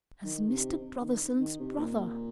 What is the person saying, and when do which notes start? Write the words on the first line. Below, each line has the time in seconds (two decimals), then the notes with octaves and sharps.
"As Mr. Brotherson's brother."
0.24 D#3
0.49 C3
1.01 D#3
1.39 D#3
1.59 C3
1.78 A#2